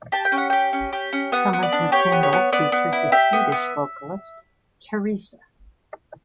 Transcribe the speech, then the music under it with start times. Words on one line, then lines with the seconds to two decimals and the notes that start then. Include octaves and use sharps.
Some of his singles featured the Swedish vocalist Therese.
0.12 G4 A5
0.25 G5
0.32 C#4
0.38 F#5
0.50 G4 G5
0.73 C#4
0.93 G4
1.13 C#4
1.32 B3 F#5
1.53 B3
1.63 D5
1.73 D4
1.92 G4 C#5
2.12 B3
2.23 C#5
2.33 B3
2.52 B3 D5
2.72 B3
2.93 E4
3.12 G4 E5
3.33 B3
3.52 B3